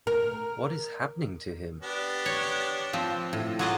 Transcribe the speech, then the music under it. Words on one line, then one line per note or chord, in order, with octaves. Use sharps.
What is happening to him?
A#4
B3 D4 G4
C#5
F3 C4
A2
F3 F#3 F4 G#4 D#5 D6